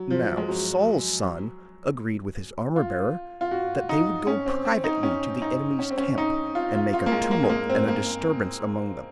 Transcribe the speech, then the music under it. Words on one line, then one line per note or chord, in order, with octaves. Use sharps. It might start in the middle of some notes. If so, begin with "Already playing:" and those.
Now Saul's son agreed with his armor-bearer, that they would go privately to the enemy's camp, and make a tumult and a disturbance among them.
Already playing: F#3
F3
G#3
F#3
F4
F4
F#4
D#4
C#4
C4
C4
D#4
C#4
D#4
C#4
C4
C#4
D#4
F4
F4
F4
A#3
G#3
A#3
G#3
A#3
C4
A#3